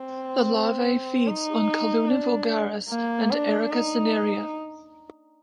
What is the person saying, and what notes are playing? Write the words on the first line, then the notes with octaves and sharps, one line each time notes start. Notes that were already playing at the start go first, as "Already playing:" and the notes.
The larvae feeds on "Calluna vulgaris" and "Erica cinerea".
Already playing: C4
D#4
D4
A#3
D4
D#4